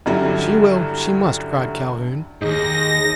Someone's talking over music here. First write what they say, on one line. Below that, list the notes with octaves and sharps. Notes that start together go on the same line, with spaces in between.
"She will, she must," cried Calhoun.
G2 D3 F#3 G3 C#4 E4
D#2 G#2 D#4 G#4 A#6